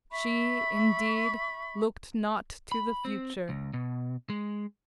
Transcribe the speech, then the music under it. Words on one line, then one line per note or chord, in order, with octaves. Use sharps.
She, indeed, looked not to the future.
E5 B5 C#6
B5
C4
C#2
B2
G#3